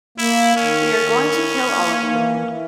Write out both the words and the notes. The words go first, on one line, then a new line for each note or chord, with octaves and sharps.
We are going to kill all of you.
A#3 E4
D#3 C#4
D#3
E4
A#3
E3
E3